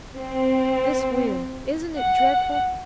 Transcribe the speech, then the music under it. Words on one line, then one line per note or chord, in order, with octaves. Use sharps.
This wind--isn't it dreadful?
C4
F#5